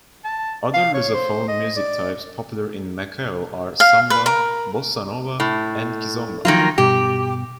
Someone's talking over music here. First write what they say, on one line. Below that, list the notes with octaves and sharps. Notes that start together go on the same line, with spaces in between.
Other Lusophone music types popular in Macao are "samba", "bossa nova", and "kizomba".
A5
F5
C#5
C5
D#5
D5
F5
B4
A#4
A2
D#3 F3 F#3 A#3 F4
G2 B2 G3 G4